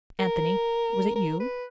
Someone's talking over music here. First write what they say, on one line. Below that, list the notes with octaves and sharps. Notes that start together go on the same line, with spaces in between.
"Anthony, was it you?"
A#4
A#4
B4